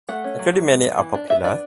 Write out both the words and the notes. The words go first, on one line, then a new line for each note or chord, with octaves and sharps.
Including many are popular.
A3 F#5
C#4
F#3
F#3
G#3
B3
E3
D4
B3 E5
D4 D5